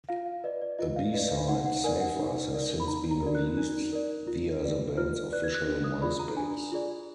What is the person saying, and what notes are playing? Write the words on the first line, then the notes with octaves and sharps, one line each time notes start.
A B-side, "Save Us", has since been released via the band's official Myspace.
F4 F5
F5
B4 D5 D#5
D5
F4 D#5
F5
B4 D5 D#5
F5
D#4 F#5
F#5
A#4 D5 G#5
F#5
D#4
A#4 D5
B5
D#4 A#5
A#5
A#4 D5
F#6
D#4
A#4 D5
F4
B4 D5
F4 F6
B4 D5 F#6
G#6
F#6
D4 F#6
D#6
F4 G#4 D5 B5
A#5
D4 G#5
F4 G#4 D5